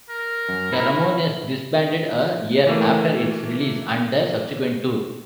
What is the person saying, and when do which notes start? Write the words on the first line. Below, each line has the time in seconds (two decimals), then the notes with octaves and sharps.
The Ramones disbanded a year after its release and the subsequent tour.
0.09 A#4
0.49 F#2
0.72 D#4 E4
2.67 E3 A3 A#3